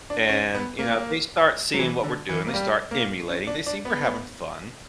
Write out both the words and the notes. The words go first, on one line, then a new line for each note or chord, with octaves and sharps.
and, you know, they start seeing what we're doing. They start emulating. They see we're having fun,
D4
C#4
B3
A#3
F#3
E3
D3
E3
A#3
G3
A#3
C#4
D4
D4
B3